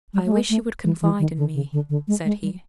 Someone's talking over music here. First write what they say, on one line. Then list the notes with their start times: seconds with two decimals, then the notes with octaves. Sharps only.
"I wish you would confide in me," said he.
0.14 G3
0.26 A3
0.32 G#3
0.50 A3
0.84 E3
1.02 E3
1.19 D#3
1.37 D3
1.54 C#3
1.73 D3
1.89 D3
2.08 G#3
2.25 G#3
2.42 G3